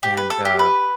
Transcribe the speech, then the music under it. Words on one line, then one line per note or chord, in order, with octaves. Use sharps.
and, uh,
G4
B4
A4
G4
B4